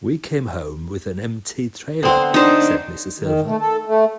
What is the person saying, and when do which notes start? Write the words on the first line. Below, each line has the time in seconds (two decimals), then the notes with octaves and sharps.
We came home with an empty trailer said Mr. Silva.
2.03 D3 B3 C4 C5
2.34 D4 D#4 C5
3.20 D#3
3.46 A3
3.59 A4
3.86 A3